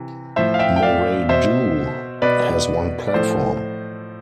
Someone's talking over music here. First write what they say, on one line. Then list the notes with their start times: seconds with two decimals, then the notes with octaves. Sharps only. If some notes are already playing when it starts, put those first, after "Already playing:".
Morradoo has one platform.
Already playing: C3 E3
0.36 A2 F3 C5 E5
0.54 F5
0.59 E5 G5
0.76 G5
0.82 D5 F5
1.29 B2 C5 E5
2.22 B2 B4 D5
3.08 D5
3.14 A2 F3 A4 C5